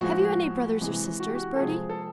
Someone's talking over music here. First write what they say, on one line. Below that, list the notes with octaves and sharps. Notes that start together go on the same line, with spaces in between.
"Have you any brothers or sisters, Bertie?"
A2 F3 G#3 F#4
F#4
C3 E3 G#3
F#4
G4
F#4
A4
C3 F3 G#3 C4 G#4
A4